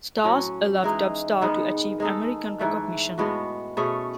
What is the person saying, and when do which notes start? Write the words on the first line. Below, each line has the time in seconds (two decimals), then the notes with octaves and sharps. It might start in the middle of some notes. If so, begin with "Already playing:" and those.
"Stars" allowed Dubstar to achieve American recognition.
0.24 A2 F#3 C#4
0.83 E3 G#3 D#4
1.41 G#2 D#3 G#3 B3
2.00 G#3 D#4 A4
2.59 G#2 E3 A3
3.18 A2 G#3 B3 F#4
3.77 B2 A3 C#4 G#4